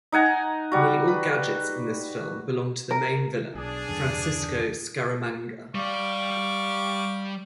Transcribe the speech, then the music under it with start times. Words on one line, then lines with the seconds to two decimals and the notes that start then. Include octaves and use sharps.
Nearly all gadgets in this film belong to the main villain, Francisco Scaramanga.
0.12 D#4 F#5 G#5 A#5
0.72 G3 F#4
1.08 B4
2.91 A#4
3.55 B1 D4 G#4
3.89 E2 G2 D3
5.75 G3 D5 F5 C#6 D6